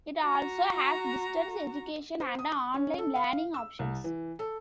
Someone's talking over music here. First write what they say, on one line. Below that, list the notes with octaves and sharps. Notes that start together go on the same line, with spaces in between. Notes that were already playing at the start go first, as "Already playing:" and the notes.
It also has distance education and online learning options.
F#4 A#5
C5
D#6
C#4
A4
F5
E6
C2
E3
A4